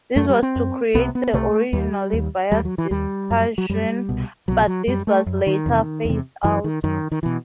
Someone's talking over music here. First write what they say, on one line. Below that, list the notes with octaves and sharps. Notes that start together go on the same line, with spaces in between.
This was to create a regionally biased discussion, but this was later phased out.
F#2 A3
G3
C4
F#2
C2 C3 B3
B3
C2 C3 A3
D#2 G3
D#2
D#2 G3
F#3
E3
D#2 G3
F#2
F#3
F#2 G3
C2 B2
C2 B2 F#3
F#3
F#2 G3
A3
F#2
D#3
E2 C3
E2 C3
F#2 E3
D#3
F#2 D#3
D#3
B2 E3